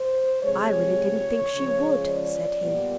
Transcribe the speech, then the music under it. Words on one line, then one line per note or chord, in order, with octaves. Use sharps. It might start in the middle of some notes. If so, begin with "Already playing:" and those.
"I really didn't think she would," said he.
Already playing: C5
C3 F3 G#3 C#5
C#3 F3 G#3
D5
A#2 G3 B3